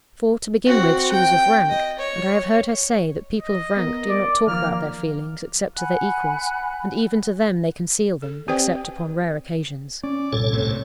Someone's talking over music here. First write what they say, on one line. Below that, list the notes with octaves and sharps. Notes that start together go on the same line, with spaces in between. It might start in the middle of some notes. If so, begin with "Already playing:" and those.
For, to begin with, she was of rank: and I have heard her say that people of rank do not talk about their feelings except to their equals, and even to them they conceal them, except upon rare occasions.
C4 F#4
G5
D#5
C#5
D#5
B3 A#4
D5
D#3 F3 A#3 F6
F#5 G#5 B5 F#6
A4
C4 G4 B4 C5 D5 G5
C#4 D5
G1 C2 A#2 A4 C#5
A2 C3